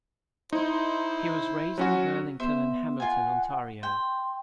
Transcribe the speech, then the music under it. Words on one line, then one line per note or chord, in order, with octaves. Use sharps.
He was raised in Burlington and Hamilton, Ontario.
D#4 E4 C5
F#3 C#4 F#4
B3 C5 E5
F4 F#5 G#5
G5 C6